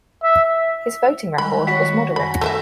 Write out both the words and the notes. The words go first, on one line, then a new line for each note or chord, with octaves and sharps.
His voting record was moderate.
E5
D#3 G3 G#3 B5
D#3 F#4 C#5 F#5 B6
F#2 G#5 B5 A#6
A3 C4 E5